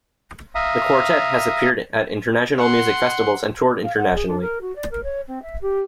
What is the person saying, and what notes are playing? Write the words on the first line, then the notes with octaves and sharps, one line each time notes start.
The quartet has appeared at international music festivals and toured internationally.
E5 F5 A#5 D#6
F#5 C6
F5
F#5
G#4
D4
A#4
F#4
D5
A#4
C#5
C4
E5
G4